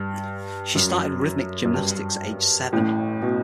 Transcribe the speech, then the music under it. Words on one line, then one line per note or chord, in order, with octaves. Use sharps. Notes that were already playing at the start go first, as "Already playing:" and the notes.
She started rhythmic gymnastics at age seven.
Already playing: G2
F#2
F#2
G2
A1 A2
B2